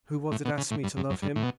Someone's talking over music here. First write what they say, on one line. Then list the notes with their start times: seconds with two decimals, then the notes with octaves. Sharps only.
"Who was it asked me to love him?"
0.32 A2
0.45 B2
0.58 C#3
0.71 A2
0.83 G2
0.97 F#2
1.10 F#2
1.22 G2
1.36 A2
1.43 B2